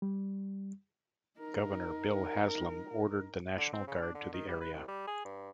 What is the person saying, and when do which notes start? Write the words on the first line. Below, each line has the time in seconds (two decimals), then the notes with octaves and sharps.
Governor Bill Haslam ordered the National Guard to the area.
0.02 G3
1.39 D#4 A#4
3.58 D3
3.73 C4
3.87 C#3
4.02 D4
4.15 D3
4.33 D#3
4.48 G3
4.61 B4
4.73 C2
4.88 G3
5.07 G#4
5.25 G2